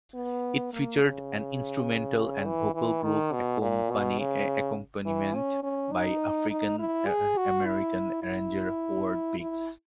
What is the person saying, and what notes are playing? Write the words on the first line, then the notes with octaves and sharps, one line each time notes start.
It featured an instrumental and vocal group accompaniment by African American arranger Howard Biggs.
B3
A#3
C#3
E3
E3
D#3
B2
A#2
B2
C#3
E3
C#4
C#4
D#4
D#4
E4
G#4
F#4
E4
E4
E4